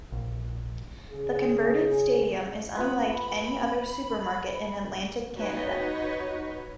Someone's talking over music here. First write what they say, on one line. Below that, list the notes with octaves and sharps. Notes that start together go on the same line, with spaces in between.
The converted stadium is unlike any other supermarket in Atlantic Canada.
A#1
C#3 G#4
B3 F4 B4 B5
D#4 F#4 B4 C#5 D#5